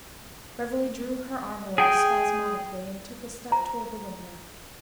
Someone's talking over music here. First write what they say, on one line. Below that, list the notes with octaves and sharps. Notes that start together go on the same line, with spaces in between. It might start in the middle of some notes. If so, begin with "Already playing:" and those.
Beverly drew her arm away spasmodically and took a step toward the window.
G#4 G5 G#5
C5 A#5